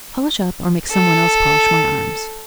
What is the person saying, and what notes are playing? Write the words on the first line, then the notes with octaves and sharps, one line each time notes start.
Polish up or make some one else polish my arms.
A4